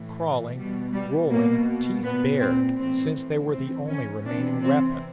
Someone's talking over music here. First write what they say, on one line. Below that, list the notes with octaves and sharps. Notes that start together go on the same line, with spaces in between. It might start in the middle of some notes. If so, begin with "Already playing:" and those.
Crawling, rolling, teeth bared, since they were the only remaining weapon.
Already playing: A2 E3
B2 G3
G3
B2 A#3
A#2 B3
C4
A2 E3 C4
A2 E3 C4
C#4
C3 E3 D4
C4